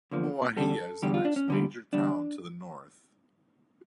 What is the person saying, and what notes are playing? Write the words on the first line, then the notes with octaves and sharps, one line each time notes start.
Umuahia is the next major town to the north.
E2 D3 F3 A#3
E2 D3 G3 A4
E2 D3 G3 G4
F4
D4
C#4
E2 D3 G3
E2 D3 G3 D4